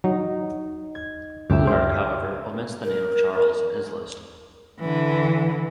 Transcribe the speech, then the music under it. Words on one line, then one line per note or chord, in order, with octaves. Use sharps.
Plutarch, however, omits the name of Chares in his list.
F#3 D#4
G#6
C#2 F#2 G4 E5
C5 D6 F6
A#4
D3 E3